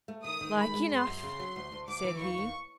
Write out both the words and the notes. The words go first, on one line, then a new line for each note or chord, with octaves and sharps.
"Like enough," said he.
A3
D#3 D#6
D#3
G#3 B5
G#3
F#2 C6
F#2
C#3
F#3
D2
D2
D2 D6
E3
D#2 C#6
D#2